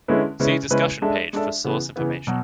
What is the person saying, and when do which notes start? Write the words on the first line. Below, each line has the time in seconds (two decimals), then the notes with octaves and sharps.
See discussion page for source information.
0.08 D3 G#3 C#4 E4 B4
0.40 C#3 G#3 C#4 E4 B4
0.70 C#3 G#3 C#4 E4 B4
1.02 G#3 D4 A4 E5
1.33 G#3 D4 A4 E5
1.65 C#3 E3 B3
1.96 C#3 E3 B3
2.27 B2 F#3